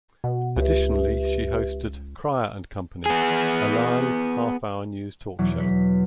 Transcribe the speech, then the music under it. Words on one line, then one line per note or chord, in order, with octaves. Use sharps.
Additionally, she hosted "Crier and Company", a live, half-hour news talk show.
B2 F#5
C#2 G4 B4 E5
B3 G#4
E2 B2 F#3
B6